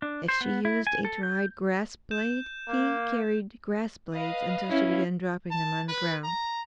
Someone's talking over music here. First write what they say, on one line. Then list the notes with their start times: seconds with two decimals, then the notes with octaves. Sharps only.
If she used a dried grass blade, he carried grass blades until she began dropping them on the ground.
0.02 D4
0.28 C5
0.41 B3
0.65 E4
0.87 G#5
1.05 A4
1.23 G6
2.11 G6 E7
2.69 A#3
4.13 B4 D#5 F5
4.69 C#4 E4
5.51 A5
5.88 B4
6.24 A#5